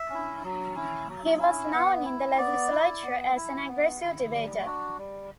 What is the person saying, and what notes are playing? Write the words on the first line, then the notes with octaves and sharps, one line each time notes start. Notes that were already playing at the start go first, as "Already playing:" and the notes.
He was known in the legislature as an aggressive debater.
Already playing: E5
C#4 E4
F#3
C#4 E4
F#3
C#4 E4
B3 F#5
E4
B3 D5
E4
B3
E4
B3
E4
G3
D4 F#4
G3